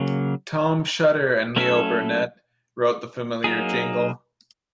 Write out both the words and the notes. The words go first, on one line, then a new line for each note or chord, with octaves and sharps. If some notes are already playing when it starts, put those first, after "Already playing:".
Tom Shutter and Leo Burnett wrote the familiar jingle.
Already playing: C#3 F#3 A#3
F#3 A3 C#4 E4 A4
F#3 A#3 D#4 G#4